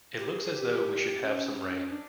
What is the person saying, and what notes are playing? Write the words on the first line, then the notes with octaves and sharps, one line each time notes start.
It looks as though we should have some rain.
G4
G#4
G#4
G4
C#4
C#4
D4